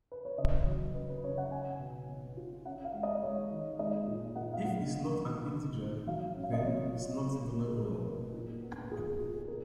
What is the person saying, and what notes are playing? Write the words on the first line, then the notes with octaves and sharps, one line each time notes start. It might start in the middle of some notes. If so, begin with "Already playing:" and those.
If is not an integer, then is not nonagonal.
B4
C#5
C#3 D#5
F#3
C#3 B4
B4
C#3 C#5
F#5
C#4 G#5
B2
B2
F4
C#4 F#5
F5
G#3
D#5
G#3 C#5
D#3
G#3 D#5
A#2
A#2 F#5
F5
A#2 F#5
B3
D#3
D#3
F4
F#3 F5
C#4
F5
D#5
F#3 C#5
F4
C#4
A#3
G#4
B2 A#4
B2
A#2
B3
F4 G#4
F4
G#4
A#2 A#4